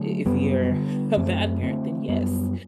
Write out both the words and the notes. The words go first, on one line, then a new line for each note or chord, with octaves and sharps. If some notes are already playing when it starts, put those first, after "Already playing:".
I if you're a bad parent, then yes.
Already playing: D3 F#3 A3
F#2 G3 B3
D3
F#2 A3 C4
D3 A3 C4
F#2 G3 B3